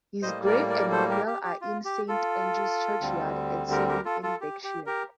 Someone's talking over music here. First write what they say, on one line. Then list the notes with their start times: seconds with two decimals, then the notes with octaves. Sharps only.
His grave and memorial are in Saint Andrew's churchyard at Sonning in Berkshire.
0.22 A2 G3 A#3 C5 D#5
0.46 A#4 D5
0.69 A#4 D5
0.92 A4 C5
1.10 G4 A#4
1.27 G4
1.44 G4
1.61 F4
1.85 G4
2.08 F4 A4
3.01 D2 D3 G3 C4
3.71 G4 A#4
3.89 G4 A#4
4.05 F4 A4
4.22 F4 A4
4.41 G4
4.64 G4
4.86 G4 A#4